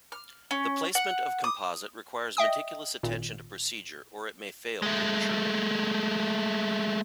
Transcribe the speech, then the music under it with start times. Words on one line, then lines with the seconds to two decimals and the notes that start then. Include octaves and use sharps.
The placement of composite requires meticulous attention to procedure or it may fail prematurely.
0.12 F6
0.51 C#4
0.95 F#5
1.44 D#6
2.37 D#5 E5 G5 D#6
3.03 G#1 A#2
4.82 G#3 A3